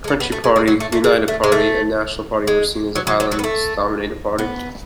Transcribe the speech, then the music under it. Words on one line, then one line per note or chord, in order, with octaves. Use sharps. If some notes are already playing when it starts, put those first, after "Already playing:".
Country Party, United Party and National Party were seen as a Highlands dominated Party.
G#3
A3
B3
A3
G#3
G#3
F#3
A3
A3
G#3
A3
G#3
A3
G#3
F#3
F#3
F#3
F#3
B3
A3
B3